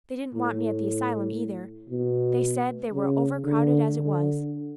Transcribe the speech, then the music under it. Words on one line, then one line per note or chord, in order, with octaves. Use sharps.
They didn't want me at the asylum, either; they said they were over-crowded as it was.
A2
B2
C#3
D3
D3